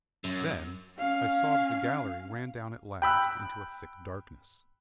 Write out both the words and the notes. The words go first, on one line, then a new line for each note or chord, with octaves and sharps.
Then I saw that the gallery ran down at last into a thick darkness.
F#2
C#4 F5
G5 B5 E6 F#6